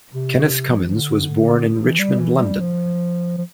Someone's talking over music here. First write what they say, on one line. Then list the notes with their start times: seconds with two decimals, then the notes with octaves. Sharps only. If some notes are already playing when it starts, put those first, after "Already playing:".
Kenneth Cummins was born in Richmond, London.
0.13 C3
0.68 F3
0.82 E3
0.95 D3
1.78 E3
1.99 G3
2.19 E3
2.40 G3
2.60 F3
3.38 F3